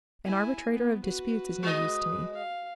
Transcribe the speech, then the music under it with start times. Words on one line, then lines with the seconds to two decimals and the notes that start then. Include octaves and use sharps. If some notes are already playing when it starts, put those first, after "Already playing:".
An arbitrator of disputes is no use to me.
0.24 E4 G#5
0.71 B3
1.03 F#4 B4
1.63 G#3 D#5
2.33 F5